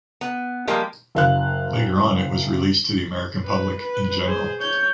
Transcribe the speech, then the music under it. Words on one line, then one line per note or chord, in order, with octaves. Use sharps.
Later on it was released to the American public in general.
B3
F3 G3 G#3 A#3 G4
F#1 F5 F#6
B4
B4
G#4 C5
C#5 G6